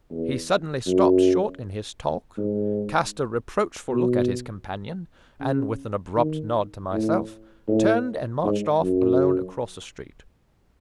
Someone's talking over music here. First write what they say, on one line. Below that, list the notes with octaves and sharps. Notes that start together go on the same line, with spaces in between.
He suddenly stopped short in his talk, cast a reproachful look at his companion, and, with an abrupt nod to myself, turned and marched off alone across the street.
E2
F#2
G#2
B2
C#3
D#3
A2
A2
G#2
F#2